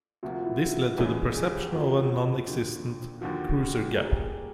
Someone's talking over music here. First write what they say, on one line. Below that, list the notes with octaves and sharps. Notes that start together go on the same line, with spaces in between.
This led to the perception of a non-existent "cruiser gap".
D2 C3 F3 A#3 F#4
F4
E4
F4
E2 C#3 E3 G#3 C#4
G#4
G4
F#4
F2 C#3 F3 A3 F4
D#2 D3 F3
D#2 D3 F3 F#4
A#2 G3 A#3 G#4
G4
G#4